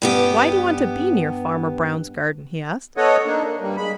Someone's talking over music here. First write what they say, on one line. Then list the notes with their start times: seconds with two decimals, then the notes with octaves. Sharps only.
"Why do you want to be near Farmer Brown's garden?" he asked.
0.02 G2 B3 G4
2.97 B3 A4 C#5 D#5 F#5
3.26 A#3 D4 D#4
3.45 A#3
3.61 G2 G3 A#3
3.77 G#3 B5